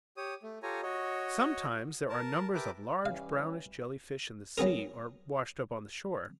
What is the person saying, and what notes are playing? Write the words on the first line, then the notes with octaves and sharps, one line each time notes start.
Sometimes there are numbers of large brownish Jelly-fish in the sea, or washed up on the shore.
G4 C#5 D#6
A3
F4 G4 A4 C#5 G#5 A#5
F#4 C#5 D#5
A#4 A5
G4 A#4 B4 E5 A5 D6
E3 G3 C#4 F5
F#3 B3 G#4 A#4